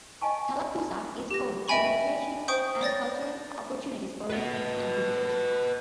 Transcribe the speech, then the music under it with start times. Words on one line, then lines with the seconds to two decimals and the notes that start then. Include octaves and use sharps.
Tallapoosa is home to recreational and cultural opportunities for residents and visitors.
0.21 D#5 F5 G#5 A5 C#6
1.31 G4 A#6
1.68 D#5 E5 G5 G#5 B5 C#6
2.48 C5 G5 C#6 D#6 G6
2.81 C#5 D5 A6 A#6
4.30 B4 D#5